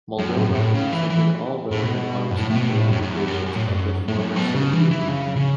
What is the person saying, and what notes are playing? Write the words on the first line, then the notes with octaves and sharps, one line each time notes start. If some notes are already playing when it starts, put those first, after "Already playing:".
Moldova has accepted all relevant arms control obligations of the former Soviet Union.
F#2
A2
F#2
A2
C#3
E3
E3
A2
B2
F#2
A2
A2
B2
A2
F#2
F#2
E2
F#2
F#2
A2
F#2
A2
F#2
B2
C#3
E3
E3
C#3
C#3